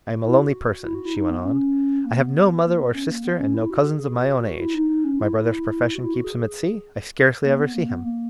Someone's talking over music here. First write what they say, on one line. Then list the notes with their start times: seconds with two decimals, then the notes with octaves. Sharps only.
I am a lonely person," she went on; "I have no mother or sister, and no cousins of my own age. My brother's profession keeps him at sea; I scarcely ever see him.
0.25 E4
0.40 F#4
0.85 E4
0.94 F#4
1.05 E4
1.15 D#4
1.30 B3
1.45 C#4
2.05 A#3
2.19 B3
2.65 A#3
2.79 B3
2.94 C#4
3.10 A#3
3.24 B3
3.40 C#4
3.54 E4
3.70 F#4
3.84 G#4
3.99 G#4
4.14 F#4
4.30 F#4
4.44 F#4
4.60 E4
4.74 D#4
4.89 D#4
5.04 C#4
5.19 E4
5.94 F#4
6.04 E4
6.14 F#4
6.24 G#4
6.39 G#4
7.44 A#3
7.58 B3
7.74 A#3
7.89 B3
8.04 A#3